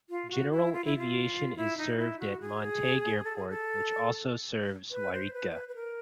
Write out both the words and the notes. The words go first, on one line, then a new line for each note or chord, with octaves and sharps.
General aviation is served at Montague Airport, which also serves Yreka.
F4
F#4
E4
F4
E4
F4
E4
D#4
E4
F#4
G#4
A4
G#4
A4
B4
C5
B4
C5
B4
B4
A#4